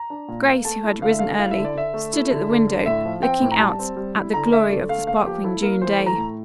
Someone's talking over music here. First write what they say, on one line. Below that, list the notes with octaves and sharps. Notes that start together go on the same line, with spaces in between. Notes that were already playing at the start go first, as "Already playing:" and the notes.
Grace, who had risen early, stood at the window, looking out at the glory of the sparkling June day.
Already playing: A#5
D4
A#2
A#3
A3 A5
E4
D3 F5
E5
A3 F5
E4 F5
E5
D3
D5
D3 E5
A3
E4
D3
D3
D3
A2 E5
F3
C4 G5
A2
A#5
G3 A5
C4
G3
E4
D3 A#5
A3 E5
D3 D5
A3 F5
A#3 F5
F3 G4
E4 A4
A#3 A#4
E3 C5
A3
A#5
A2